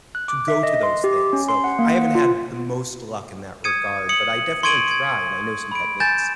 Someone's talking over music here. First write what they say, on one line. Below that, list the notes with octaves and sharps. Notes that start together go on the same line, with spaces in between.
to go to those things. So I haven't had the most luck in that regard, but I definitely try, and I know some techniques.
F#6
D6
E5
D#5
C6
G4
C#4
C6
F#5
A#3
F#5
F4
D#6 G#6 C#7 D#7
D#6 C#7 F#7
C6 C#6 G#6 D7 D#7 F#7
G#6
B5 D7
G#5 G6 A6 E7